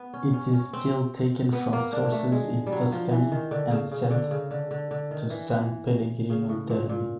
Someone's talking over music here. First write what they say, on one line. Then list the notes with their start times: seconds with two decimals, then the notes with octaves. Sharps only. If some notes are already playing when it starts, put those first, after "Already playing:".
It is still taken from sources in Tuscany and sent to San Pellegrino Terme.
Already playing: B3
0.13 C#4
0.33 C#4
0.53 C#4
0.73 C4
1.53 B3
1.73 A#3
1.93 D4
2.12 A3
2.32 G#3
2.67 G3
2.72 F#3
2.92 F3
3.12 E3
3.32 D#3
3.51 D3
3.71 C#3
3.91 C#3
4.11 D3
4.31 C#3
4.51 D3
4.71 D3
4.91 D3
5.11 D#3
5.30 E3
5.50 E3
6.30 C#3
6.49 A2
6.69 A#2
6.89 A#2